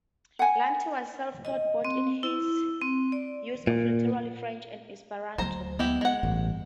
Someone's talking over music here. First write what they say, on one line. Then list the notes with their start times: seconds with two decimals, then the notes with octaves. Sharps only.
Lanti was self-taught both in his use of literary French and Esperanto.
0.39 F#5 G#5
1.45 D#5
1.85 C4
2.23 E4
2.81 C4
3.12 D5
3.67 A#2
5.38 D2 F#3 C5 A#5
5.79 G#3 B3 E4 G4
6.01 G#3 F#5
6.23 A1 G2